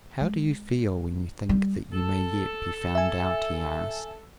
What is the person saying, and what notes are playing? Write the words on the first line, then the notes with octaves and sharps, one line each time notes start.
"How do you feel when you think that you may yet be found out?" he asked.
G#3
G3
A4
E5 G#5